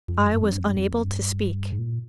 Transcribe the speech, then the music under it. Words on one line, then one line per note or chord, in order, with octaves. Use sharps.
I was unable to speak.
F2
G2
F2
G2
F2
G2
F2
G2
F2
G2
G#2
A#2